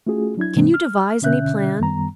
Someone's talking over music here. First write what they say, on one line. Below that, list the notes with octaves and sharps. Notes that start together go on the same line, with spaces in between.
Can you devise any plan?
A3 C#4 F4 F#4 G#4
F#3 D4 E4 G#6
G#2 C3 E3 G#3 A#3 C4
F6
B2 D3 C#4 E5 F#6 G6
F#2 D#3 G3 B3 A#5